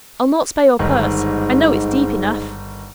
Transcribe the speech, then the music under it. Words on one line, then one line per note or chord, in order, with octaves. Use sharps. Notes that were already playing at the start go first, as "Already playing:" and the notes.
I'll not spare your purse,--I know it's deep enough.
G1 G#2 D#3